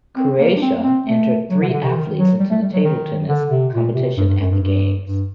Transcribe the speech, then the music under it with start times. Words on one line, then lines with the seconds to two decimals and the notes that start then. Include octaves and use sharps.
Croatia entered three athletes into the table tennis competition at the games.
0.17 C4
0.39 A#3
0.56 D4
0.62 C4
0.76 A#3
0.84 C4
1.06 A3
1.50 F#3
1.62 D3
1.69 C3
1.73 D3
1.84 C3
1.96 D#3
2.18 F#3
2.39 G3
2.50 A3
2.62 G3
2.73 F#3
2.84 D#3
3.29 D3
3.50 C3
3.72 A#2
3.95 C3
4.17 G2
4.28 G2
4.40 F#2
4.51 G2
4.62 G2
5.06 G2